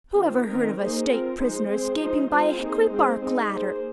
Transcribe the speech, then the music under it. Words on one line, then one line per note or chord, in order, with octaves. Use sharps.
Who ever heard of a state prisoner escaping by a hickry-bark ladder?
D#3 C4 F4
D#3 C4 D#4 A#4
A#3 D#4 G#4 C5
C4 F4 A#4
F3 G#3 D#4 C5
G#3 C4 G#4 C5
F3 G#3 D#4 C5
G#3 C4 F4 G#4 C5
A#3 D#4 G#4 C5
G#3 C4 G#4 C5
C4 D#4 G#4
A#3 G#4 C5